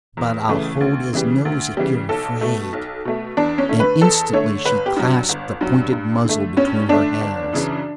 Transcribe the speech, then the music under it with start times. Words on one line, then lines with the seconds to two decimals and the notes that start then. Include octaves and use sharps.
"But I'll hold his nose if you're afraid." And instantly she clasped the pointed muzzle between her hands.
0.17 E2
0.49 C#3 E3 A3
0.81 D2
1.13 C#3 E3 G3
1.45 D2
1.77 C#3 E3 G3
2.09 B1 A4
2.41 B2 A3
2.73 B1
3.05 B2 A3
3.37 E2 D4
3.58 C#4
3.69 D3 A3
3.80 B4
4.01 E2 A4
4.33 D3 A3 C#5
4.65 G1 B4
4.86 G4
4.96 G2 F#3
5.29 G1
5.61 G2 F#3
5.92 G2
6.25 D3 A3
6.57 G2 C#4
6.89 D3 A3 D4
7.21 G1
7.53 F#2 C#3 E3